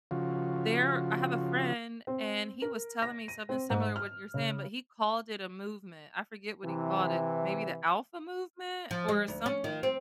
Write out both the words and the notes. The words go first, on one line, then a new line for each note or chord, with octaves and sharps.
there I have a friend, and he was telling me something similar to what you're saying, but he called it a movement. I forget what he called it. Maybe the alpha movement or something?
C#3 F3 F4 F#4
C4
A#4
A#6
D#7
C4
G#2
F6
C#3
C3 E3
F3
G#3
D2
C#4
D#3
C4